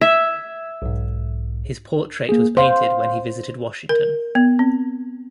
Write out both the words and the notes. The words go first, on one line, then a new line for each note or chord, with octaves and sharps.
His portrait was painted when he visited Washington.
E5 G#6
B1 G#2
A#3 G#4
C5 F5 C6
A#4
B3
C4